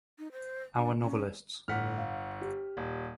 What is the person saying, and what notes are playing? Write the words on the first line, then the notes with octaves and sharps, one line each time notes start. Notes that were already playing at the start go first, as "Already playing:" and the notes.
Our novelists.
D#4
C5
D4
C#4
G1 A2 F#5 F6 B6
F5
G4
D#1